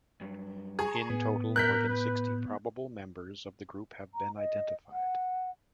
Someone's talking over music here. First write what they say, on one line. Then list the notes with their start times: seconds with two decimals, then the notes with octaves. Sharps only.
In total more than sixty probable members of the group have been identified.
0.21 G2 F#3
0.79 G#4 A5 A#5 C#6
1.10 A2 B3
1.56 A#4 F#6 G6 B6
1.90 B4
4.14 A#5
4.37 D#5
4.92 F#5